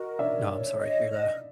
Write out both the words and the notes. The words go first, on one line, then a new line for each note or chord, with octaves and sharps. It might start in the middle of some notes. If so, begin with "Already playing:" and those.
No, I'm sorry to hear that.
Already playing: F#4 A#4 D#5
C#5 D5 E5
C#5
D#5
D#5